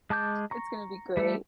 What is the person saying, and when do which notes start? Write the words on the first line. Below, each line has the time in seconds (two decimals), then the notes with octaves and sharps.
it's gonna be great.
0.10 G#3 A5 D6 G6
0.51 A#5 C#6
1.17 G3 A3 A4